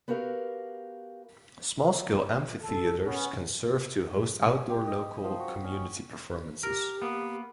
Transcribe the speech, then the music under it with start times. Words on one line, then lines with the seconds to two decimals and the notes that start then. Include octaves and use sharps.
Small-scale amphitheatres can serve to host outdoor local community performances.
0.08 B3 F#4 G4 A#4 F5
2.60 A4
3.05 B3 C#4
4.47 G#4
4.70 G4
4.87 D#5
5.24 F3
5.40 F#4
5.64 C#4
6.63 G4 A#4
7.02 A#3 B3